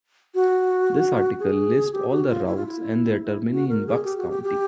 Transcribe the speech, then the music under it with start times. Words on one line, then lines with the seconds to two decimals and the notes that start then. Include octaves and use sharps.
This article lists all the routes and their termini in Bucks County.
0.35 F#4
1.40 G#4
1.92 G4
2.10 F#4
2.28 F4
2.46 E4
2.56 F4
2.66 E4
3.51 F#4
3.69 A#4
3.87 G#4
4.04 G4
4.18 F#4
4.30 G4
4.43 G4